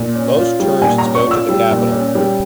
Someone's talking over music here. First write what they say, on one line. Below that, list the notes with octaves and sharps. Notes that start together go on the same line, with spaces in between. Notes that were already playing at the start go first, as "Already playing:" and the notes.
Most tourists go to the capital.
Already playing: A#2
C#4
F4
G3
A#2 G#5
A#5
C#4
C#6
F4 E6
G3
A#2
C#4
G3